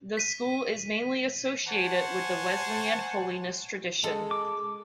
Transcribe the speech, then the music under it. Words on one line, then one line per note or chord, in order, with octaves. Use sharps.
The school is mainly associated with the Wesleyan-Holiness tradition.
B6 D#7
C5 C#5 F#5 G#5 A5
G#3 A4
D6